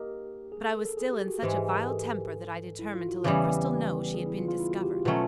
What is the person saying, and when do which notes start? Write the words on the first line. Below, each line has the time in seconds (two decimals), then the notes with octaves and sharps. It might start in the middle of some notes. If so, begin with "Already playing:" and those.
But I was still in such a vile temper that I determined to let Cristel know she had been discovered.
Already playing: A#3 D#4 G4
0.52 G#4
0.63 A4
0.75 A#4
0.85 A4
0.97 G#4
1.12 G4
1.27 F#4
1.42 G#2 E3 G#3 G4
1.58 G#4
1.73 A#4
1.88 A4
2.79 E4
2.94 F4
3.09 F#4
3.24 E2 C#3 E3 G3 G4
4.14 G#4
4.26 E4
4.38 F4
4.48 F4
4.60 E4
4.71 F#4
4.83 G4
4.94 F4
5.05 B2 F#3 A3 C#4 F4